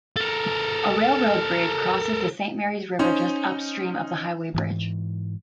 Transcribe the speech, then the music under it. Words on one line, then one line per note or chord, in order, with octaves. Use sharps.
A railroad bridge crosses the Saint Marys River just upstream of the highway bridge.
A4 A#4
C#4 D#4 C5
G#2 E3